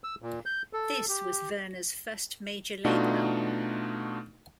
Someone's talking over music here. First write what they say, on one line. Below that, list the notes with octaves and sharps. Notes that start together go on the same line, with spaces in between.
This was Werner's first major label album.
E6
A#2
G6
A4
G4
B2 A3 D4 D#4 F4 F#4